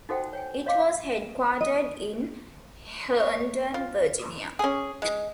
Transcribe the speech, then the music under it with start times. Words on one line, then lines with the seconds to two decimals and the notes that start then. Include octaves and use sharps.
It was headquartered in Herndon, Virginia.
0.09 D#4 F#4 A4 C5 F#5 G5
0.33 C#5 G5 G#5
0.66 C#5 D#5 F5 C6 D6
1.61 D#5
3.20 C#5
3.74 F4
4.59 C#4 G#4
5.02 G#3